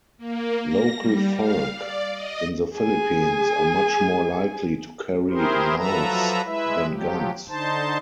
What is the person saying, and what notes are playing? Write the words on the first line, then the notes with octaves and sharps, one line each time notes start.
Local folk in the Philippines are much more likely to carry knives than guns.
A#3
A#6
G3
F5
D5
D#5
G#4 G#5
E4 G4 G#4 A#4 C5
F3 F#3 A4 B4 E5 A#5
G#3 E4 B4 E5
F3 F#3 G4
D3 D#4 C5 A5